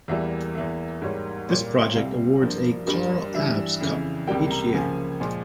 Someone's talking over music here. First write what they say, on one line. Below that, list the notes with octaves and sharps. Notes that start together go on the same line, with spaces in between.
This project awards a "Carl Abs" Cup each year.
E2 E3 G3 A#3 E5
E2 E3 A#3 E5
G#2 G3 A#3 C#5
A#2 G3 A#3 C#5
C2 C3 G3 F5
G2 F3 A#3
G2 G3 A#3
G2 E3 G3 E5
F2 C#3 E3
C#2 C3 G3 A#3 G5
A#5
C#2 C#3 F3 A#3 G#5
A#2 F3 G#3 G#5